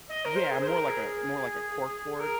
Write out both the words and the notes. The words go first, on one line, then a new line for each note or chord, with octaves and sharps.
Yeah, more like a more like a corkboard.
D#5
A#4
C5
G#4
C5
A#4
G#4
A#4